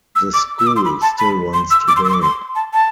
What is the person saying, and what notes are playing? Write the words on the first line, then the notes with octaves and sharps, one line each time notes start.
The school still runs today.
E6
D6
E6
D6
C6
B5
A5
B5
C6
E6
D6
C6
E6
C6
D6
C6
A5
A5